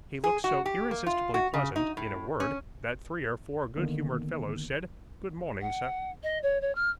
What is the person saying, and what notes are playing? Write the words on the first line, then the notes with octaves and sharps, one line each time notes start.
He looked so irresistibly pleasant, in a word, that three or four good-humoured fellows said, 'Good-morning, sir!
G#4
F#4
G4
A#3
F4
F#4
C#3
D#4
A2
C#4
D3 D#3 A#3 B3
F#5
D#5
C#5
C#5
F6